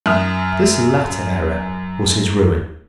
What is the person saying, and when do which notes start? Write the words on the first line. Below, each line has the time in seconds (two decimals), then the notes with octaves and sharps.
This latter error was his ruin.
0.06 F#2 E5 D#6 F6